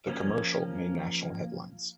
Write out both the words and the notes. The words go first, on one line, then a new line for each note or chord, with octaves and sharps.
The commercial made national headlines.
F3 A#3 C#4